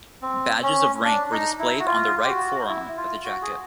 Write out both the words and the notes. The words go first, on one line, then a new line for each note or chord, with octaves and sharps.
Badges of rank were displayed on the right forearm of the jacket.
C4
C#4
D4
D#4
E4
F#4
F4
G4
F#4
E4
F4
F#4
G#4